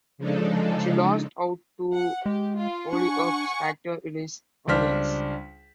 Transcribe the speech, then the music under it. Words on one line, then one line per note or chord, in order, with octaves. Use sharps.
She lost out to "Hollyoaks" actor Ellis Hollins.
C#3 F3 G#3 D4 D#4 A4
F#5
G#3 G4
F4
D4 F#5 G#5 C#6
C#2 G3 D4 C5 F6 B6